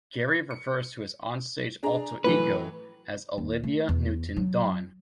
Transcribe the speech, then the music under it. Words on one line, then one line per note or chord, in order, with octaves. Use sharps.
Gary refers to his onstage alter-ego as "Olivia Newton-Dawn".
C#7
D4 G#4 A#5
A2 E3 F#3 B4
D#2
A3
E2
F#3